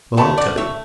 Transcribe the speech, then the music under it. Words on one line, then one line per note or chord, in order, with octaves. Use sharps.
Well, I'll tell you.
C#3 F#3 A3 F#5 A5
D5 F#5
C#5 E5